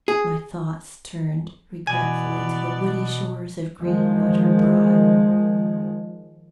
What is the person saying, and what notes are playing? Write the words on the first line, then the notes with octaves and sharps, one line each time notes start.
My thoughts turned regretfully to the woody shores of Greenwater Broad.
G#4
B2 E3 B3 D5 G#5
D#3 F3 G#3